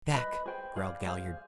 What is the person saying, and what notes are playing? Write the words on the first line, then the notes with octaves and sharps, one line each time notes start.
"Back!" growled Galliard.
B4 D#5 B5
G#4 C5 G5 B5
G#4 D5 F5
G#4 C5 F5